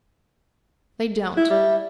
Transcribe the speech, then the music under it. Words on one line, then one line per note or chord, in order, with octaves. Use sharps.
They don't.
E4
G3 E5